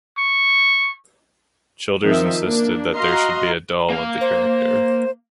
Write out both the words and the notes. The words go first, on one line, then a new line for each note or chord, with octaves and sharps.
Childers insisted that there should be a doll of the character.
C#6
D#3 F3 C4 D#4 E5
A#3 D4
F#4 D#5 F5 A#5 C6
A#3 F5
C5